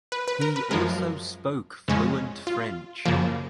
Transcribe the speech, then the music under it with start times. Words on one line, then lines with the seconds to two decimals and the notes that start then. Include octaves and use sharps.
He also spoke fluent French.
0.12 B4
0.28 B4
0.41 A#4
0.56 B4
0.71 F#2 F3 G#3 A#4
1.88 F2 C#3 G#3 C#4
2.47 F4
3.05 F#2 C#3 F3 A#3